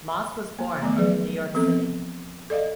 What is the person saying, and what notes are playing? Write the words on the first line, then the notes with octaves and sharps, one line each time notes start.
Moss was born in New York City.
A#3
D#3 F3 A3 B3
E3 F#3 G#4 B4 D5
E3 F3 B3 C4 A4
A4 D5 D#5 F5